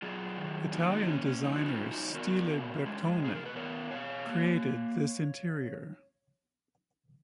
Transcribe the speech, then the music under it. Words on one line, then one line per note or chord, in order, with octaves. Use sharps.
Italian designer Stile Bertone created this interior.
F#3 F4 G#4
D#3
A#3 D#4 F#4
D#4 F#4
C#4
C#4
F3 D#4
F#4
C#4 F4
C#3
D#4 F#4
B3 F#4 A#4
C#3
G#3
B2 G#4
A#4
B4
B3 A#4 C#5
B2 C#5 F5
A#3